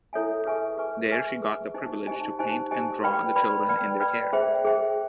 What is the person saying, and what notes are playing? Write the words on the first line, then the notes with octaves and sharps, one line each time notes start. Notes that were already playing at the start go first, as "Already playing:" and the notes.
There she got the privilege to paint and draw the children in their care.
E4 A4 C#5 E5 G#5
G#4 B4 E5 G#5 C#6
G#4 B4 E5 G#5 C#6
G#4 B4 E5 G#5 C#6
G#4 B4 E5 G#5 C#6
D#4 G4 C5 D#5 G#5
D#4 G4 C5 D#5 G#5
D#4 G4 C5 D#5 G#5
D#4 G4 C5 D#5 G#5
B4 D5 G5 B5
B4 D5 G5 B5
B4 D5 G5 B5
B4 D5 G5 B5
G#4 C5 E5 G5
G#4 C5 E5 G5